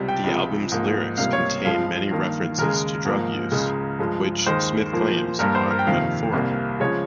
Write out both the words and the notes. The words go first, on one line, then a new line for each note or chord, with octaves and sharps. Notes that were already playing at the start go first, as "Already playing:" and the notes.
The album's lyrics contain many references to drug use, which Smith claims are metaphorical.
Already playing: C#2 C3 G3
G5
C#2 C3 F3 G#3
G#2 F3 A#3
C#2 C3 G3 A#3 F5
C#5
G2 F3 G#3 F5
G2 D#3 A#3
D#2 C#3 G#3 A#4
G#2 F3 A#3
C#2 C#3 G#3
G2 F3 G#3
D#2 D#3 G#3 C5
A#2 F3 A#3
G2 G3 A#3 A#4
C5
A#4
G5
F2 C3 D#3 A#3 F5
C2 C3 G3 A#3
C#3 F3 G#3 C#5